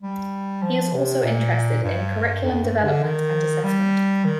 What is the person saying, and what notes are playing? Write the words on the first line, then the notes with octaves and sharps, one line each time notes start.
He is also interested in curriculum development and assessment.
G3
F3
C3
A#2
G2
F2
G2
D3
D#3
G3
D#3